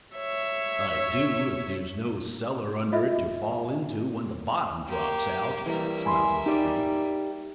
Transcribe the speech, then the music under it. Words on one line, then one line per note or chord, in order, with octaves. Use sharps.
"I do if there's no cellar under it to fall into when the bottom drops out," smiled Mr. Brief.
C#5 E5
F4 D#5 E5
A#3 G4
E3 G3 A#3 E5
G#5 B5 C6
D#4 G4 D5